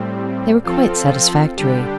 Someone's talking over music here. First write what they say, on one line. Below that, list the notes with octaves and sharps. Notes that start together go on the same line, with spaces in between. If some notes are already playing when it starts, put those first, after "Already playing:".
They were quite satisfactory.
Already playing: A2 G3 C4
F3 C4 F4 A4
D3 G3 D4 G4